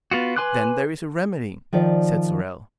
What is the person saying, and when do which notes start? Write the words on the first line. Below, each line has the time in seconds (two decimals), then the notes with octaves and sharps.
"Then there is a remedy," said Sorel.
0.11 B3 F4 F#4
0.36 B4 G#5 C6 D6 F#6
1.73 D#3 F3 C5 D5